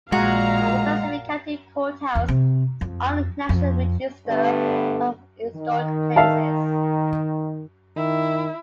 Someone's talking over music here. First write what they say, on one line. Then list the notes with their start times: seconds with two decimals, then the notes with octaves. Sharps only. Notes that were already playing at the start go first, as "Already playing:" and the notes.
The Pacific County Courthouse is on the National Register of Historic Places.
0.12 A#1 A#2 G#3 F#4 F5 A#5
2.15 E2
2.28 C3
2.81 F2
3.49 F2
4.26 G2 D3 A3 B3
5.54 D#3
6.16 E5 F5 A5
7.96 D#3 E4